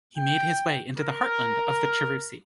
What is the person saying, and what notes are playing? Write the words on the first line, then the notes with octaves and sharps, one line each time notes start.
He made his way into the heartland of the Cherusci.
G5
A#4